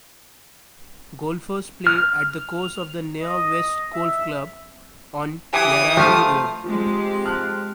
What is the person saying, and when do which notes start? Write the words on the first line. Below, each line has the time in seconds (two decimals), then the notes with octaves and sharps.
Golfers play at the course of the Nyah West Golf Club on Yarraby Road.
1.87 F6
3.21 D#5
3.94 E5
5.53 E3 G4 G#5 D#6
5.97 F3 A3 G4 C5 F5 G5
6.64 F3 G#3 C4 G4
7.24 A5 F6 F#6